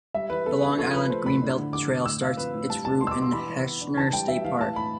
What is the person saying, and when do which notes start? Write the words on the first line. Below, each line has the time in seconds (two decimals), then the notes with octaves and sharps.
The Long Island Greenbelt Trail starts its route in Heckscher State Park.
0.14 G3 E5
0.30 E3 B4
0.46 B3 A4
0.62 D4 B4
0.77 F3 A4
0.94 F3 B4
1.10 A3 C5
1.25 A2 B5
1.42 D4
1.58 D3
1.73 D3 D6
1.89 D3
2.05 A2 E6
2.22 C4 F5
2.37 F3 B4
2.53 A2
2.69 G3 A5
2.85 B2 A5
3.01 G3 C6
3.07 E6
3.11 D6
3.17 B2 C6
3.33 E3 B5
3.50 E3
3.65 B3
3.81 D4
3.96 E3 A5
4.12 G3 G5
4.28 E3 E5
4.45 E3 F5
4.60 A2 A5
4.76 A2 B5